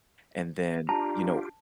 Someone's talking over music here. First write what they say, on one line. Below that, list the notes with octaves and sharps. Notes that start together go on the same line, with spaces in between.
And then, you know,
D4 F4 G4 A5 A#5